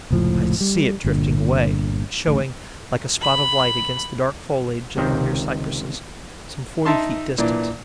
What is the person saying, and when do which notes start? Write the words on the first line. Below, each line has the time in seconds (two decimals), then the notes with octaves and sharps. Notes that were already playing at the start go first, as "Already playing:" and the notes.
I see it drifting away, showing, like a spot of light, against the dark foliage of the near cypresses, some forty feet distant.
0.11 F1 C#2 A2 F3
0.61 G3
1.04 G1 A#2 D3
2.27 A1 D2
3.21 B5
4.97 C#2 C3 D#3 C4
6.85 D#4 E5 A5 C6
7.38 A#2 E3 D4